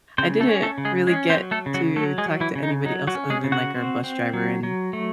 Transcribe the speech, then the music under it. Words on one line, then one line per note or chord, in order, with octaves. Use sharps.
I didn't really get to talk to anybody else other than, like, our bus driver and
C#3 C4 C5
A3 A4
C#4
A3 A4
C#3
G#3 G#4
G#3 C#4 G#4
C4 C5
F#3
A3 A4
C#3
F#3 F#4
F#3 A3 A4
G#3 G#4
F#3
E3 E4
C#3
D#4
F#3 D#4
F#3 F#4
C#4
G#3 G#4
C#3
F#4 F#5
C4
C4
F#3
F#3
A3